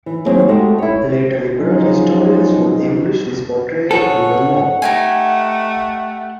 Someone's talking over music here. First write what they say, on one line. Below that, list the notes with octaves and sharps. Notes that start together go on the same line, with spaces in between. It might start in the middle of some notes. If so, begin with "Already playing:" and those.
Later liberal historians would embellish this portrayal even more.
E3
D#2 F#3 C4 G#4
G#3 A3 F#4 G4 A4
E4 C#5
C#3 F3 F#3 G#3 D#4
G#4 A4 C#5 F#5
A3 D#4 G4 G#5